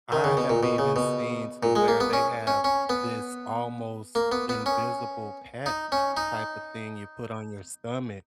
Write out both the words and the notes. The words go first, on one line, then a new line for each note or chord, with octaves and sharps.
I have even seen to where they have this almost invisible patch type of thing you put on your stomach.
D#3
C#3
B2
A#2
B2
C#3
B2
A#2
G#3
A#3
B3
C#4
C#4
C#4
B3
A#3
B3
B3
C#4
D#4
C#4
D#4